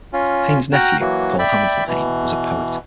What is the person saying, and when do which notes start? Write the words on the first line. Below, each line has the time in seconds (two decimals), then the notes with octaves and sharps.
Hayne's nephew, Paul Hamilton Hayne, was a poet.
0.13 C#4 F4
0.73 F#4 G5 A#5 F6 F#6
1.00 E3 F#3 A#3 F#4
1.39 D5 E5 G5 B5
1.87 B2 E3